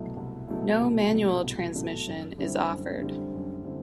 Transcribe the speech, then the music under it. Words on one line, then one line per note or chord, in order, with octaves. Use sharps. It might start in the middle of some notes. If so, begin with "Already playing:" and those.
No manual transmission is offered.
Already playing: C2 B2 F#3 A3 E4
C2
B2 F#3 A3 E4
C2
B2 F#3 A3 E4
C2
B2 F#3 A3 E4
F#2
D3 G3 C4 E4
F#2
D3 G3 C4 E4
F#2
D3 G3 C4 E4